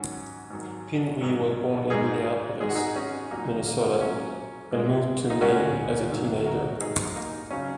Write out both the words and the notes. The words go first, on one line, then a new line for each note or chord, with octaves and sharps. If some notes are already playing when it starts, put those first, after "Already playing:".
Pingree was born in Minneapolis, Minnesota and moved to Maine as a teenager.
Already playing: G#2 D#3 F#3 C#4 F#4
G#2 D#3 F#3
G#2 D#3 F#3
G#2 D#3 G#3 D#4 G#4
G#2 D#3 G#3 G#4
F#4
D#4 G#4
C#4 F#4
A#2 F#3 A#3 D#4
A#3
A#2 F#3 C#4
G#2 G#3
D#4
G#2 G#3 C#4 F#4
G#2 D#3 F#3
F#4 A#4
G#2 D#3 F#3 D#4 G#4
A#3 D#4
C#3 F#3 C#4